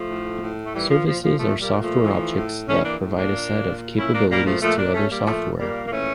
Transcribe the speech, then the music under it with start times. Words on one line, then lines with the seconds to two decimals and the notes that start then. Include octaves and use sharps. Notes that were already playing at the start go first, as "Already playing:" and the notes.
Services are software objects that provide a set of capabilities to other software.
Already playing: F3 A3
0.08 A2
0.41 A2
0.65 A3
0.73 A#2 E3 G3
0.89 F3
1.05 A#2 F3
1.22 F3
1.38 A#2 F3 A3
1.59 G3 A#3
1.71 A#2
1.80 F3 A3
2.03 E3
2.35 A2
2.67 E3 A3 C#4
2.83 A#3 D4
2.99 A2
3.15 A#3 D4
3.32 A#2
3.64 A#2
3.97 A#2 C#4 E4
4.12 A#3 D4
4.29 A#2 G3 A#3
4.45 F3 A3
4.61 A#2 F3 A3
4.77 A#3 D4
4.93 A#2 A3 C#4
5.10 G3 A#3
5.25 A#2 F3 A3
5.58 A#2 G3 A#3
5.85 A#3
5.90 E3 A3 C#4